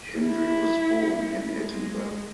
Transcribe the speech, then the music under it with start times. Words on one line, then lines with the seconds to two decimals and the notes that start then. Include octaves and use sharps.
Hendry was born in Edinburgh.
0.25 E4
1.56 G#3